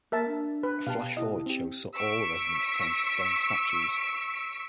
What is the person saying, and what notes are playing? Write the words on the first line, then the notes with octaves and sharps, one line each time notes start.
A flash-forward shows all the residents turned to stone statues.
A#3 A#4 E5 A5
D4
B4
B2 G4 F5 A5
E4 D#5
C4 G4
C#6 E6 B6 D7